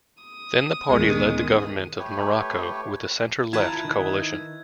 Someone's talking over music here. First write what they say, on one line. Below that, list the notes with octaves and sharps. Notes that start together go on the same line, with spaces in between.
Then the party led the government of Morocco with a centre-left coalition.
D#6
D2 A#2 D#3 G#3 B3 C#4
A3 G4 B4 C#5
E4 F4 B4 E5 A5 A#5 G#6
D#3 D#4